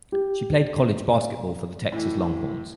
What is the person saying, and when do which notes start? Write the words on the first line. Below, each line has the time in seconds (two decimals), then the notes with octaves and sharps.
She played college basketball for the Texas Longhorns.
0.12 G4
1.92 A2 E3